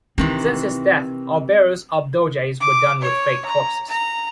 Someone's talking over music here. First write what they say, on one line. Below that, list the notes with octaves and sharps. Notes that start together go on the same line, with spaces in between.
Since his death, all burials of doges were done with fake corpses.
C3 D#3 E3 C4
D6
C#5
A#5
A#5